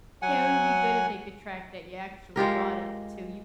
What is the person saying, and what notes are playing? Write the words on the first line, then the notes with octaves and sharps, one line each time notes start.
Yeah, it would be good if they could track that ya actually bought it too, you
F#3 F#5 G#5
G#3 F4 G4 A#4